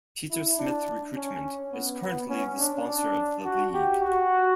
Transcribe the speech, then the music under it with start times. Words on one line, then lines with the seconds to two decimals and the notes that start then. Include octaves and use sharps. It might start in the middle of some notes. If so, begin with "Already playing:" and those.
Peter Smith Recruitment is currently the sponsor of the league.
0.31 E4
0.59 D4
1.16 C#4
1.72 B3
2.01 B3
2.30 C#4
2.58 D4
2.88 D4
3.45 F#4
3.74 G4
4.02 F#4